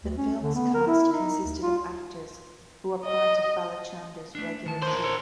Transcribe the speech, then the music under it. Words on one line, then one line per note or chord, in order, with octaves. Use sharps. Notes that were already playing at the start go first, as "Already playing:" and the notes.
The film's cast consisted of actors who were a part of Balachander's regular troupe.
D2
C#4
D3
B3
A#4
E4
D#4
D2
F4
D#5
A3 D4
D#3 A5
A#4 C5
A4 C#5